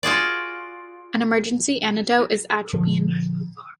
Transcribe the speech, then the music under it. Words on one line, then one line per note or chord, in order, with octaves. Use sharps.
An emergency antidote is atropine.
F4 F#4 G#4 D5
A#2 D3 F3